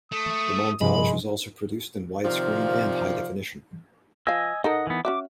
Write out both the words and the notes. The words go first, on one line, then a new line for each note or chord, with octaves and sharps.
The montage was also produced in widescreen and high definition.
A3 D#6
G2 C3 F3 G#3 B5
C3 D#3 F3 C4 D5 F5
F3 D#5 F5 G#5 E6
D#4 A4 A#4 D#5 F#5
E3 B3
C#4 F#4 E5 D6